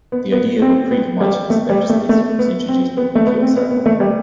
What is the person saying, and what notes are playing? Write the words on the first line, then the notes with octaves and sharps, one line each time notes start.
The idea of a prehomogeneous vector space was introduced by Mikio Sato.
B3
B3
C4
B3
G3
A3
G3
A3
A3
B3
C4
B3
A3
B3
C4
B3
B3
A3
G3